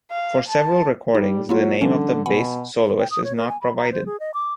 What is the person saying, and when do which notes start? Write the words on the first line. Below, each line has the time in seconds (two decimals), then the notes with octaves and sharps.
For several recordings, the name of the bass soloist is not provided.
0.11 F5
0.49 A5
1.15 G3 D#4
1.49 F#3 A#3 E4 F4
1.81 D3 F3 G3 C#4
2.26 B2 F#5 G#5 B5
3.00 G5
3.11 D#6
3.24 C#5
3.36 A#4
3.49 G#5
3.62 B5
3.76 A#5
3.92 C5
4.06 G#4
4.20 D#5
4.34 D6